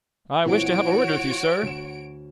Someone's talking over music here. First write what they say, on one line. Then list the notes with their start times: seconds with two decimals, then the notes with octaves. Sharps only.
"I wish to have a word with you, sir."
0.45 A#2 E3 C4 F#4 C#5 D7
1.63 D2 E7